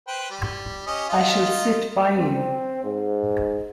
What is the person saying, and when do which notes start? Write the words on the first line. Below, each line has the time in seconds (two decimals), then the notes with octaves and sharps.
I shall sit by you.
0.08 B4 C5 G5
0.30 G3
0.87 C#4 G4 D#5
1.09 D#4 F4
2.17 C4
2.84 G#2